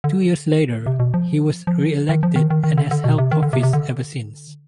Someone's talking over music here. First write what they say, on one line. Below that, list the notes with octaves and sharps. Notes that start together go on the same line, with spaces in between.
Two years later, he was reelected and has held office ever since.
D3
C3
B2
F3
F3
D#3
F3
D#3
D#3
D#3
D3
D3
B2
C3
D#3
D3
C3
C3
D3